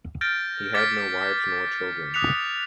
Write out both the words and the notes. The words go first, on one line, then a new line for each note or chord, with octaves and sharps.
He had no wives nor children.
F6 G6 A6 A#6 D7
D6 F6 G#6 A6 B6 C#7
D6 D#6 F#6 B6 C#7 F7